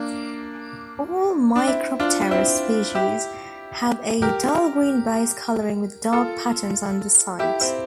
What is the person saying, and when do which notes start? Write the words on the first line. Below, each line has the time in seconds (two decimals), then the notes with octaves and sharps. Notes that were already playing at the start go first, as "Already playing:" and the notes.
All "Micropterus" species have a dull-green base coloring with dark patterns on the sides.
Already playing: A#3 D4
1.56 D4
1.67 C4 E4
2.00 D4 F4
2.31 C4 E4
2.95 E4 G4
4.22 G4 A#4
6.13 F4 A4
7.39 E4 G4
7.61 C4 E4